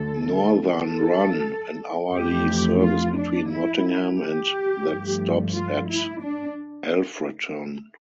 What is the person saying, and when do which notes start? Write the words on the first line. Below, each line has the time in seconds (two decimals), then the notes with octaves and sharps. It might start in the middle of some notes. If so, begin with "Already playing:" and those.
Northern run an hourly service between Nottingham and that stops at Alfreton.
Already playing: D2 D3 A3 A4
0.78 A4
2.13 F2 E3 A3 G4
2.82 F4
3.17 D4
3.51 E4
4.19 G4
4.87 G2 F3 A3
5.54 F4
5.89 E4
6.23 D4